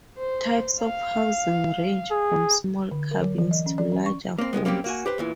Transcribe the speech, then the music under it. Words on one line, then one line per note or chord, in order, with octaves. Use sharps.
Types of housing range from small cabins to larger homes.
C5
F5
G#4
D3
A#4
F#3
E3
D#5
C#4
D5
C#4
C#6
A#3 C4
C2 G2 G#3 B3
G3 A#3 C4 C#4 G4
A#3 F#4 G#5
G4 B4 C5
E2 A#2 E3